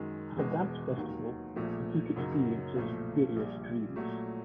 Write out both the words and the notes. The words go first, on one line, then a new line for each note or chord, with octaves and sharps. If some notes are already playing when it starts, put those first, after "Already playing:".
At a dance festival, the Duke experiences various dreams.
Already playing: F#2 D#3 G#3
E1 E2 B2 G#3
D#2 D#3 F#3
A#1 A#2 F3 A3
F#2 C#3 F#3 A#3 D#4
B1 A#2 F3 A3
A#1 A#2 G3
A#2 F#3 A3